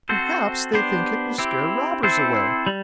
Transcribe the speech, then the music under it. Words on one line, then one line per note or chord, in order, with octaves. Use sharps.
Perhaps they think it will scare robbers away.
C4 F#4 A4 C5
B3 D4 G4 C5
C4 E4 G4
C4 E4 A4 C5
G3